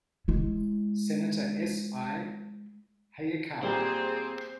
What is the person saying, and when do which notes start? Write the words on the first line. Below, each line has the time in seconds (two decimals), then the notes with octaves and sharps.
Senator S. I. Hayakawa.
0.28 G#3 E4
3.63 A#2 G3 C4 G#4 C5